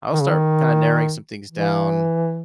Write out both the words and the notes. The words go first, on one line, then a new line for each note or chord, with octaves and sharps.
I'll start kinda narrowing some things down
D#3
C#3
D#3
E3